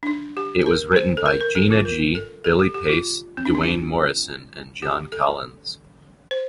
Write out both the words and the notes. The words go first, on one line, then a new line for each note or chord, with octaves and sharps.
It was written by Gina G, Billy Pace, Duane Morrison, and John Collins.
D4
D#4
G4
A#4
C5
A4
A#4
A#4
A4
F4
A#4
A4
A4
G4
G4
F4
C4
D4
D#4
F4
G4
A4
C5